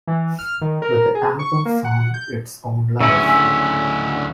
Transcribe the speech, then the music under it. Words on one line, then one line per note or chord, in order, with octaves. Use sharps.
But the album found its own life.
E3
F6
D#3
A#4
G#4
C#6
A#3
F#5
G6
D2 C#3 C#4 E4 E5 E6
G#5 E6 B6